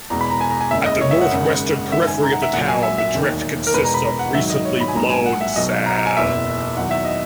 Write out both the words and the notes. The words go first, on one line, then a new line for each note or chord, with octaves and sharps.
At the northwestern periphery of the town the drift consists of recently blown sand.
E2 B2 G#3 A#5
B5
A#5
G#5
A#5
G#5
F#1 E2 C#3 G#3 E5
D#5
C#5
E5
F#5
G#1 F#2 C#3 G#3
G#1 F#2 D#3 E5
G#5
A#5
F#5
E5
A#1 A#2 F#3 F#5
G#5
E5
E5
E1 D#2 D#3
A#4
E2 B2 G#3 B4
A#5
B5
A#5
F#5
G#1 G#2 D#3 F#3 E5
D#5
C#5
B5
G#5
A#1 G#2 F#3 A#5
G#5
F#5
E5
B1 B2 F#3 D#5
A#5
A#5
G#5
F#1 E2 B2 E5
E1 E2 D#3 F#3 F#5
E5
D#5